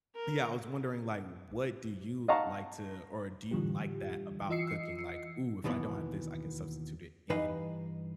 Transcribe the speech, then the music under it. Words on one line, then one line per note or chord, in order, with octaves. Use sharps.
Yeah, I was wondering, like, what do you like to or do you like that about cooking? Like, "Ooh, if I don't have this, I can substitute it in,
A#4
D#5 F5 F#5 A5 A#5 C#6
A2 D3 E3 G3 F4 G4
E3 F4 D#5 E6 C7 C#7
D#2 B2 E3 B3
G2 E3 D#4 B4 D#5 F5